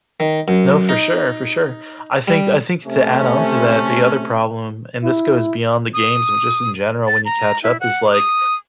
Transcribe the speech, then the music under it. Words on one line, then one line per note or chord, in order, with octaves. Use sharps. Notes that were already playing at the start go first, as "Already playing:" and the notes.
No, for sure, for sure. I think I think to add on to that, the other problem, and this goes beyond the games, but just in general, when you catch up is like,
D#3
F#2
D#4
G3
C3 A3 C#4
E4
D#6
A6
A#5
E4
F#5
D#6